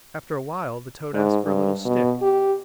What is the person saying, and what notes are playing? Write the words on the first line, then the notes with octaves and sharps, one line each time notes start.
After a while the toad asked for a little stick.
G#2
G2
B2
G4